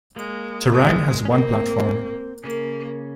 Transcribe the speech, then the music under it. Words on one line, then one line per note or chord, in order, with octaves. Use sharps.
Terang has one platform.
G#3 A#3
G#3
C#4
A#3 C4
C#3 A#3 C#4